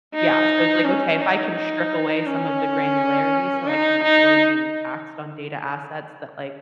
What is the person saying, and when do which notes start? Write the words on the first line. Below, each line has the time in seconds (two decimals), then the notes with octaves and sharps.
Yeah, so it's like, "Okay, if I can strip away some of the granularity, so I can avoid being taxed on data assets that like,
0.14 D#4
0.84 C#4
1.20 D#4
1.55 D#4
2.26 C#4
3.67 D#4
4.03 D#4